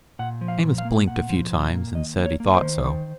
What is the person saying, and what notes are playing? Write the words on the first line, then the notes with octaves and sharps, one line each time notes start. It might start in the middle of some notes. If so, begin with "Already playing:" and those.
Amos blinked a few times and said he thought so.
A#2 F#5
F3
F5
A#2
F5
A#3
A#2 F#5
F3
A#2
A#3
D#3 D#5
A#3
C#5
A#3
C5
D#3
D#3